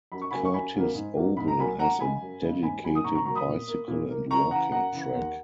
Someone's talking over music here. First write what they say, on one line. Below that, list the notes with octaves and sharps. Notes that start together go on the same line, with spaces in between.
Curtis Oval has a dedicated bicycle and walking track.
F#2 B5
C#6
C#3 F#3 A#3 G#5 B5
C#6
F#2 G#5 B5
C#3 F#3 A#3
G#2
F#3 A#3
G#2 B5
A#5
F#3 A#3 G#5 B5
F#2 F#5 A#5
C#3 G#3 G#5 B5
F#2
C#3 G#3
G#2 G#5 B5
F#3 A#3 G#5 B5
D#6
G#2 A#5 C#6
A#5 C#6
F#3 A#3 A#5 C#6
B5 D#6
A#2
A#3
A#2
A#3
F#2 A#5 C#6
C#3 E3 F#5 A#5
F#2 F#5 A#5
C#3 E3
D#2